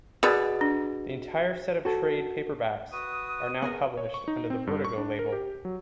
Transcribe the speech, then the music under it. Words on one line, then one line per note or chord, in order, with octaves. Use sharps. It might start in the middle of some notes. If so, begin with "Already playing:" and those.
The entire set of trade paperbacks are now published under the Vertigo label.
B2 G#4 D5 B5
D4
F#4 A4
F#4 B4 D#6 D#7
B3 G#4 A#4
C#5
C#6
D#4
C4
G2
C#6
D4
A#4
G4
F#3